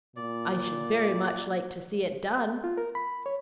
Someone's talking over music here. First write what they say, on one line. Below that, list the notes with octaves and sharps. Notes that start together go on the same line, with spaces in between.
'I should very much like to see it done.
A#2 D5
F4
A#4
B5
C#5